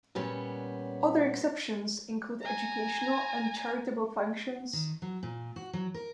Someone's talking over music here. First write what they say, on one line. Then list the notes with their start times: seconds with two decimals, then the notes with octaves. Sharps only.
Other exceptions include educational and charitable functions...
0.15 A#2 G3 B3 C#4
2.42 G#5 A#5
4.73 D#3
5.02 F#3
5.23 A#2
5.56 F#4
5.73 F#3
5.94 A#4